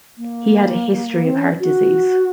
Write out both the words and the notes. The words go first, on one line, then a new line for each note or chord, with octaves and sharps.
He had a history of heart disease.
A#3
C4
C#4
F#4